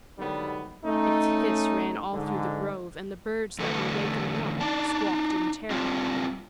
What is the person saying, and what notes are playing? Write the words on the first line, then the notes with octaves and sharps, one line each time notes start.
Its hiss ran all through the grove and the birds that were wakening up squawked in terror.
G#2 D3 D#3 F#3 G3 B3
A3 C#4 D#4
G#2 D3
E2 D3 A3 B3
D4 D#4 D5 A5
G3 C4 D4 F4